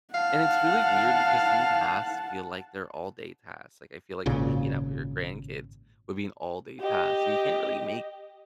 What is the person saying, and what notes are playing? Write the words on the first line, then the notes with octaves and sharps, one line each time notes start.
and it's really weird because some tasks feel like they're all day tasks, like, I feel like hanging out with your grandkids would be an all day task, and you can't really make
F5 F#5 A5
G#1 A#2 C#3
G4 D#5